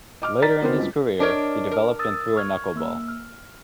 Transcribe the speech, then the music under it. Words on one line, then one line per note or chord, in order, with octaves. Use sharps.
Later in his career, he developed and threw a knuckleball.
D#5 D6 F6
D5 A#5 A6 B6
D#3 B3 C4 F#4 A#4 C5
C#2 G2
D4 A#4 C#5 D#5
A#4
D#6 E6 A6
C#6 F6 G#6
A#3 E6 F6
F6